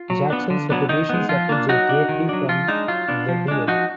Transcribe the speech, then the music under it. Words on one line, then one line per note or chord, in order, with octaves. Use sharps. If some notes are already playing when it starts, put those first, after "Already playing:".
Jackson's reputation suffered greatly from the duel.
Already playing: F4
F#3
B3 D4
D3
F#3 B3 D4
D#3 D#4
G#3 B3
F3 F4
A#3 D4
F#3 D#4 F#4
D4
D#3
F#3 D4
F3 F4
G#3 D4 D#4
F#3 F4
B3 D4
F3
G#3 D4
F3 D#4 F#4